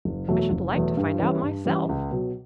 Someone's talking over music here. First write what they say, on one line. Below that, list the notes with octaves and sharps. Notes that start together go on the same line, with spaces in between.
"I should like to find out myself."
F#1
E2 B2 F#3 A3
F#1
E2 B2 F#3 A3
G2
E3 G3 C#4
G2
E3 G3 C#4
C#2
B2 F#3